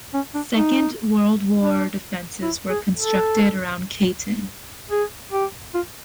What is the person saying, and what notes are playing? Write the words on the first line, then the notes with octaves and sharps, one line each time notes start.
Second World War defences were constructed around Cayton.
C#4
D4
D#4
D4
E4
G#4
A4
G#4
G4
F4